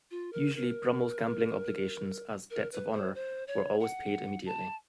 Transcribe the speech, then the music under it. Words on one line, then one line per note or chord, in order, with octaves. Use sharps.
Usually Brummell's gambling obligations, as "debts of honour", were always paid immediately.
F4
A#4
A#4
A#4
B4
C5
C5
C#5
F#5
A5